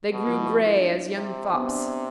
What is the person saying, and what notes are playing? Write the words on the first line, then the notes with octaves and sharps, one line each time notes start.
They grew gray as young fops.
B2 G3
F3
E4
G4
F4
E4
D4
E4
C3
B3
C4
D4